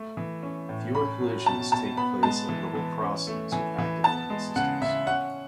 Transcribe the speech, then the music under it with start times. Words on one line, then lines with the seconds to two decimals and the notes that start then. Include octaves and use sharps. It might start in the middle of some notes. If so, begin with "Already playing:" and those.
Fewer collisions take place at level crossings with active warning systems.
Already playing: A3
0.17 E3
0.43 C#4
0.69 A2
0.95 C#4 B5
1.20 F#3
1.46 B2 A5
1.72 B2 A5
1.97 B3 B5
2.23 G#3 A5
2.49 E3
2.75 E3
3.01 C#4
3.27 A3
3.52 E3 G#5
3.78 E3
4.04 B3 A5
4.30 G#3
4.56 C#3 F#5
4.82 C#3 E5
5.07 C#4 F#5